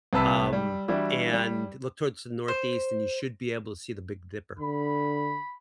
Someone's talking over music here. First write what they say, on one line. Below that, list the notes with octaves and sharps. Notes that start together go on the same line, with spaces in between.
Um, and look towards the Northeast and you should be able to see the Big Dipper.
C2 C3 B4 A5 E6 B6
G3
E3 G3 D4 E4 F#4
G3
C5
D3 B5